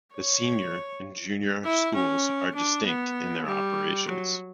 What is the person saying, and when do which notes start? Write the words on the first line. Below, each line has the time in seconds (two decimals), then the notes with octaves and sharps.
The senior and junior schools are distinct in their operations.
0.14 C#5
1.65 E4
1.95 C#4
2.55 D4
2.86 B3
3.46 G3
4.07 F#3